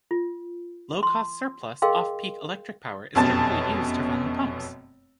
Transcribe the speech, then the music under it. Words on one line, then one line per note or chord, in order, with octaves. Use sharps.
Low-cost surplus off-peak electric power is typically used to run the pumps.
F4
C6
G#4 A#4 D#5 F5 G5 C6
F1 F#2 B2 A5 A6